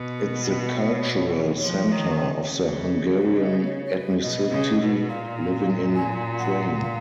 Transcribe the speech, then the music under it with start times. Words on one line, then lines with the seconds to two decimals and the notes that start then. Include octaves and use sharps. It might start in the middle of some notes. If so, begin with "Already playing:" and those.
It's the cultural centre of the Hungarian ethnicity living in Ukraine.
Already playing: B2
0.18 A#4
0.48 B4
0.71 D#5
0.76 C#5
1.63 F3
1.92 D#3
2.49 C#3
3.17 B4
3.27 C#5
3.36 D#5
3.65 C#5
3.85 C#5
3.94 B4
4.22 B2 D#5
4.51 C#3
4.80 B2
5.09 A#2 F5
5.95 G#5
6.39 F#5
6.82 F5